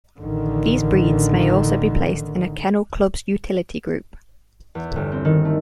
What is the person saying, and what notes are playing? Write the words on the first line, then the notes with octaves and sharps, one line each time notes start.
These breeds may also be placed in a kennel club's Utility Group.
A1 D3 D#3
E2
G1
C4
D#3
A3